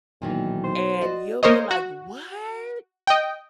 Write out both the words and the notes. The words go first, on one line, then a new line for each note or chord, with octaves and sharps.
And you'll be like, "What?"
B1 A#2 D#3 E3
C5
F#4 D5 D#5
A#3 A#4 C5 C#5 D#5
F#4
D#5 G5